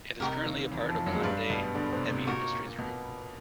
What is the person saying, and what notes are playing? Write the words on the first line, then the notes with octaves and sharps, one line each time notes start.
It is currently a part of the Hyundai Heavy Industries Group.
C2 C3 D#4 G4 A#4
D#2 D#3
E2 E3
F2 F3
F#2 F#3
G#3
G2 G3 B4 D5 F5
B2 B3
D3 D4
C3 C4
C3 C4
A#2 A#3 D#4 F#4 A#4 C#5
A#2 A#3
B2 B3